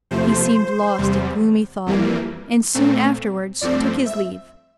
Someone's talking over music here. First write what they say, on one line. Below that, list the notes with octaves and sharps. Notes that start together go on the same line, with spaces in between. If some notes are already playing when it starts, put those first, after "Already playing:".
He seemed lost in gloomy thought, and soon afterwards took his leave.
E2 C3 F3 A3 C5
E2 C3 G3
F2 E3 G3 A#3
A#2 A3 C4
G2 F3 A3 C4 D5
E5